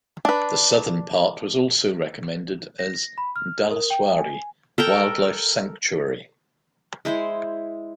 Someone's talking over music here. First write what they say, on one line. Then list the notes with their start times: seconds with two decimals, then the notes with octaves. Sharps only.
The southern part was also recommended as 'Dhaleswari' wildlife sanctuary.
0.25 D4 B4
2.79 A#6
3.18 B5
3.36 F6
3.71 A#4
3.90 G5
4.17 G#5
4.78 A4 A#4 G5
7.05 G#3 E4 C5